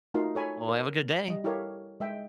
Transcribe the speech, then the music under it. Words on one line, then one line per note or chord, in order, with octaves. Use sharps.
Well, have a good day.
A3 D#4 F4 F#4 A#4 F5
A4 C#5 G#5 B5
A#4
G3 D#5
E4 G4 A4 A#4 C#5 F5
G#3 E5 G5